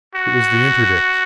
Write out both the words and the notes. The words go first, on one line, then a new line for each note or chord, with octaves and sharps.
It was the INTERDICT!
F#4